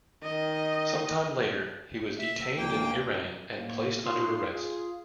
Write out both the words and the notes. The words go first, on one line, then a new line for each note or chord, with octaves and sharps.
Sometime later, he was detained in Iran and placed under arrest.
D#3 D#5
E5
D2 A#3 G5
A2 A#3
D#4 F4 C#5 C6
F4 G#4